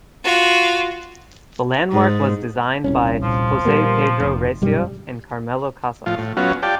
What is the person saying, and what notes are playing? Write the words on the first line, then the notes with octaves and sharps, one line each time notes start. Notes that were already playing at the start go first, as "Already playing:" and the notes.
The landmark was designed by Jose Pedro Recio and Carmelo Casas.
F4 F#4
G#2
D#1 C2 C#4
A#2 F3
A#2 G3 A#3 B3
F1
G1 F#2 B2 G3
A2 F3 F4
A2
F#3 B3 C#4 F4 F#4
F4 G4 D5 G5 A5